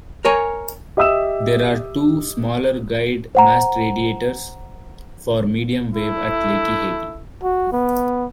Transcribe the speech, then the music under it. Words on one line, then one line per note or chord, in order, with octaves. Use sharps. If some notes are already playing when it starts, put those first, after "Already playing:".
There are two smaller guyed mast radiators for mediumwave at Lakihegy.
A#4 C#5 G#5
G4 D#5 E5 D#6 E6 E7
C5 F#5 A#5
A3 E4
F#4
B3